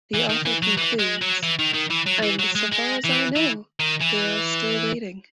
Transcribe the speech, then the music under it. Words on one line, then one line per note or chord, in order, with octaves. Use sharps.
The author concludes And so far as I know, they are still waiting.
E3
D#3
E3
F#3
E3
G#3
F#3
E3
D#3
D#3
E3
F#3
E3
F#3
G#3
G#3
E3
E3
D#3
E3